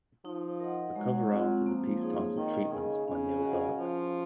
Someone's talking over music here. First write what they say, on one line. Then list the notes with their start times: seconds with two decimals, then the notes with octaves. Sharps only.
The cover art is a piece titled "Treatment" by Neil Burke.
0.25 F3 D#4
0.60 A#4 D#5 F#5
0.96 F#3 G#3
1.31 C4 F4
1.66 F3 A#3
2.02 D#4 G#4 C#5 F5
2.37 D#3 D#4
2.72 C#3 G#4 D#5
3.07 C#3 C#4
3.43 F#4 A#4 D#5 F#5
3.78 F3 C#4